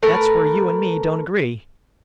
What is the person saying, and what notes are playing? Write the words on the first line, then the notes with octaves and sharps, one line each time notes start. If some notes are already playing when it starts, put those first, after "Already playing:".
That's where you and me don't agree!
A3 A#4 B4